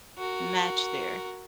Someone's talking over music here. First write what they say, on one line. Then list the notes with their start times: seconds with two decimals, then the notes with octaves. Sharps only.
match there.
0.18 F#4 A#4